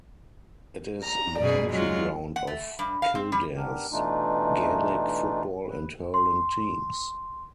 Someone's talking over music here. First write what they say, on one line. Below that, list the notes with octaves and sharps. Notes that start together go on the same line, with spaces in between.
It is the county ground of Kildare's gaelic football and hurling teams.
A#5
F#2 B2 G#4 D5
F#3 G#3 F4
F#5
A3
G2
F5
C4
G3
B3 D4 G4 A#4
B2 E3 A3 D4 D#4 F4
B4
C6